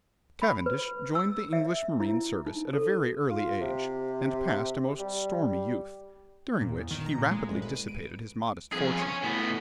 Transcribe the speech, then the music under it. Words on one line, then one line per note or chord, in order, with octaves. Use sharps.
Cavendish joined the English marine service at a very early age; and passed a most stormy youth, during which he rapidly dissipated his modest fortune.
B5
B4
E6
E5
E4
D#4
A4
F4
C3
G3
A#2
E2
D#3
A#5
A#2
G#3
G1
B4
D#7
D7
F2 G#4
C#5 G#5
A2 B3